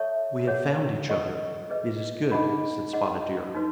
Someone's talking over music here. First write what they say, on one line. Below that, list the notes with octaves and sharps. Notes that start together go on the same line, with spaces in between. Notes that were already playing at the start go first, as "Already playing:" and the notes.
"We have found each other--it is good," said Spotted Deer.
Already playing: A4 C#5 E5 A5 C#6
G#4 C#5 F#5
A4 D#5 F#5 C#6
G#4 B4 D#5
D#4 G#4 D#5 F#5 B5
G#4 D#5 F#5
D#4 F#4 B4